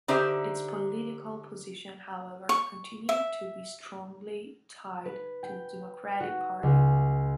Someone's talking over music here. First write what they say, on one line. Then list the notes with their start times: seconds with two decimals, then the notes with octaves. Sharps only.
Its political position, however, continued to be strongly tied to the Democratic Party.
0.08 D3 D#4 G4 C5 E5
2.49 C#6
3.09 E5
5.05 B4
5.43 G5
6.20 F#4
6.63 C#2